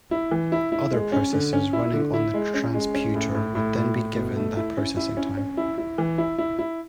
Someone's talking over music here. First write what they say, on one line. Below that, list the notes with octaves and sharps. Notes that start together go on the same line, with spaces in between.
Other processes running on the transputer would then be given that processing time.
E4
E3
E4
E4
G#3
C#4
D3
C#4
E4
D3
E4
G#3
C#4
G#3
C#4
A2
A2
A2
A2
A2
B2
A3
E4
C#4
E4
C#4
C#4
E4
E4
E3
E4
E4
E4